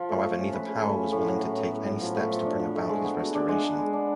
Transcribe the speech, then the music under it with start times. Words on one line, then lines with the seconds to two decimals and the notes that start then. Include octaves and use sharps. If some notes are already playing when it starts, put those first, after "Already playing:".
However, neither power was willing to take any steps to bring about his restoration.
Already playing: F3 F4
0.09 A3
0.23 A3
0.38 C#4
0.53 B4
0.68 G#4
0.83 A3
0.97 C#4
1.12 A2
1.27 F#3
1.42 A2
1.56 B3
1.71 A2
1.86 F#3
2.01 F3
2.16 A3
2.31 F3
2.45 D4
2.59 F3
2.75 A3
2.89 G#3
3.04 B3
3.19 F#4
3.34 D4
3.48 G#3
3.63 B3
3.78 G#3
3.93 D4